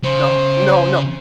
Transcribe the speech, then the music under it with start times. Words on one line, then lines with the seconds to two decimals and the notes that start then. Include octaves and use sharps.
No, no, no.
0.04 C#3 C5